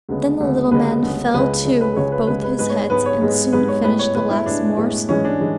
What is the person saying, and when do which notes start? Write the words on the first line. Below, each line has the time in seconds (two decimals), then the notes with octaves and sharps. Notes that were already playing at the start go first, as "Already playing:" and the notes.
Then the little man fell to with both his heads, and soon finished the last morsel.
0.09 D2 C#3 G#3 B3
0.40 D2 C#3 G#3 B3
0.71 D2 C#3 G#3 B3 B4
1.03 D2 C#3 G#3 B3
1.34 C#2 C#3 G#3 B4
1.65 C#2 C#3 G#3
1.81 B4
1.96 C#2 C#3 G#3 C#5
2.12 B4
2.27 C#2 C#3 G#3 B4
2.43 B4
2.59 G#2 G#3 B3 B4
2.69 C#5
2.90 G#2 G#3 B3 B4
3.06 C#5
3.21 G#2 G#3 B3
3.53 G#2 G#3 B3 B4
3.68 C#5
3.84 A2 G#3 B3 B4
3.99 C#5
4.15 A2 G#3 B3 B4
4.31 E4
4.46 A2 G#3 B3 D4
4.77 A2 G#3 B3
5.09 G#2 E3 G#3 C#4
5.25 D4
5.40 E3 G#3